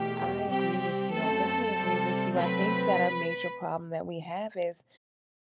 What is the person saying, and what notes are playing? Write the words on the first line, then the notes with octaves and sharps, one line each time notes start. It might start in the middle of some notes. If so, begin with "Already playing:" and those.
I agree with you, I definitely agree with you, I think that a major problem that we have is
Already playing: E2 B2 A3 G4
C3 G3 C4 G4
G4
F#2 F#3 A3 C4 A4
C3 G3 C4
C3 F#3 A3 C4 B4